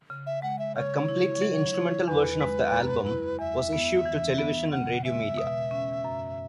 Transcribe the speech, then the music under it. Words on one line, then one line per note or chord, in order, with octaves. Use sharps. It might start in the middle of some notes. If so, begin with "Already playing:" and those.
A completely instrumental version of the album was issued to television and radio media.
C#3
E5
G#3 F#5
E5
C#3 C#5
E4
F#3
E4
E2 B4
G#3
F#2
E4
E2 E5
B3
E3
B3
C#3 F#5
G#3 E5
B2
C#4
F#2